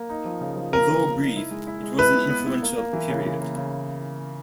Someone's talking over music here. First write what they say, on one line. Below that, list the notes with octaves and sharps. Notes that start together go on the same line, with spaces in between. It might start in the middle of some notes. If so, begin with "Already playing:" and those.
Although brief, it was an influential period.
Already playing: A#3
D#4
F3
C#3
F3
A#3 A#4
C#3
A#3
D#4
E4
G#3
E4
G#3
E4 B4
B3
B3
E4
A#3
A#3
E3
C#3
E3
A#3
C#3